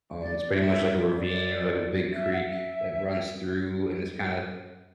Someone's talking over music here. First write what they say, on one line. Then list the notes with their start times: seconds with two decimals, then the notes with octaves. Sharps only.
um, it's pretty much like a ravine or like a big creek that runs through, and it's kinda
0.21 D5
0.38 D5
0.54 E5
1.17 D5
2.13 E5
2.33 F#5
2.38 E5